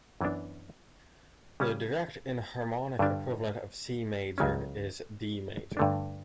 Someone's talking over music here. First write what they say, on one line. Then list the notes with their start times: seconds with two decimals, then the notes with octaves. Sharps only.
The direct enharmonic equivalent of C major is D major.
0.21 F#2 E3 B3 D4
1.60 C#3 G3 C#4
2.99 G2 D3 G3 D4
4.38 C#2 C#3 F#3 C#4
5.77 G2 D3 A3 D4